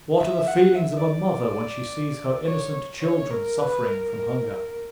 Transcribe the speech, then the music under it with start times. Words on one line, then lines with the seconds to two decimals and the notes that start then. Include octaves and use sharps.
What are the feelings of a mother when she sees her innocent children suffering from hunger!
0.18 E5
0.47 F#5
0.75 E5
1.04 D5
2.45 C#5
3.01 C#5
3.30 A#4
3.58 B4
3.87 A#4